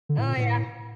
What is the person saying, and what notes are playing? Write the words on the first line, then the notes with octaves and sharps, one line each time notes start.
Oh, yeah.
D3
A2
A#2
A#2
A2